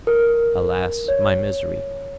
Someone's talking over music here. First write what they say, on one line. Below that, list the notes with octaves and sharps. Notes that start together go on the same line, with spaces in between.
'Alas! my misery!
A#4
C#5